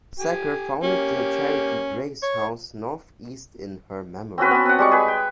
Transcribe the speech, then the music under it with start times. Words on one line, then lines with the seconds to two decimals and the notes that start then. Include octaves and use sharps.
Secker founded the charity Grace House North East in her memory.
0.19 G4 G#5
0.83 A#3 C#4 G4
2.23 C#5
4.38 C4 C#4 F#4 B4
4.51 B3 A5
4.66 C4 F#5
4.79 G3 G#3 C#6
4.91 G#4 B4
5.08 G5